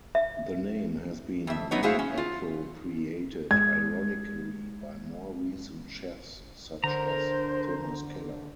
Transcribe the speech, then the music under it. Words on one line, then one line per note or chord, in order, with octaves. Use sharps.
The name has been reappropriated ironically by more recent chefs such as Thomas Keller.
E5
F2 E5
F#3 B3 D#4 C#5
E4 F#4 G#4 C5 E5 F5
C#4
F4
G#3 G#6
D3 A#4 C5 A#5